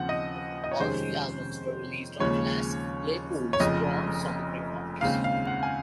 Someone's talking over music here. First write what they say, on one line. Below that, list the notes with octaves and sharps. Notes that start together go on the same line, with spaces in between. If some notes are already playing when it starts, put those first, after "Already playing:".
All three albums were released on Les Claypool's Prawn Song Records.
Already playing: D#2 C#3 F3 C4 F#5
D#5
D#5
C#5
F2 C3 D#3 G#3 C#4 C5
D#2 C#3 F3 G#3 C#5
C#5
F1 F2 C#3 D#5
D#2 C#3 G#3 C4 F5
F5
F#5
G#5